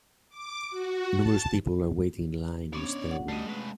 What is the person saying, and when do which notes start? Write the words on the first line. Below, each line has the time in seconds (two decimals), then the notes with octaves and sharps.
Numerous people are waiting in line on a stairway.
0.29 D6
0.70 F#4
1.16 A5
2.73 B3 C#4 D4 C#5 D5
3.11 F#5
3.28 G3 A3 D#5
3.47 G#3 B4